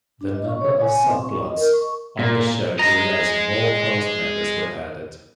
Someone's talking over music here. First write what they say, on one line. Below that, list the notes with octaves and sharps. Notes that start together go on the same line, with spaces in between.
The number of subplots on the show grew as more cast members were added.
D4
D#5
C#6
C#5
G#5
C4
C#6
D#5
A#4
C#6
A#2
G#4 D#5 A#5